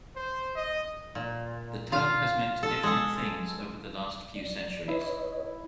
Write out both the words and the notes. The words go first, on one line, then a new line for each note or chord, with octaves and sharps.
The term has meant different things over the last few centuries.
C5
D#5
A#2
F4 F5
A4
G#3 A4
D5
E4 B4 C#5 D#5